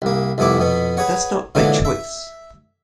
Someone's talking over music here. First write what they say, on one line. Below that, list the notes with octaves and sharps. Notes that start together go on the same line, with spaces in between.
But that’s not by choice.
C2 A#3
C2 F2 B3 E4 D6
F2 B2 B3
G#4 B4 C#5 F#5
A#2 D3 E3 G#3 C#4 F#4
E5